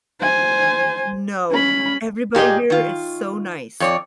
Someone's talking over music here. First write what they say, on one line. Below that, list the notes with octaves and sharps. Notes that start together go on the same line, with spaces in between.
No. Everybody here is so nice.
C5 G#5
C#4 B5
A#2 G4 G#4 D#5
D#3 F4
F2 C#5 D5